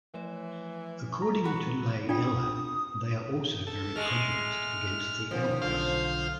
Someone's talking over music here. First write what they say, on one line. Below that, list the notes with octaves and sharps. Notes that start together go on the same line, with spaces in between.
According to Lei'ella, they are also very prejudiced against the elves.
E3 F3 A3 C#5
A#5
F#4 B4
D4 F4 G5 D#6
A4
G#3 A3 F6
D#3 F3 B3 C#4
B1 D3 F4 C5 F5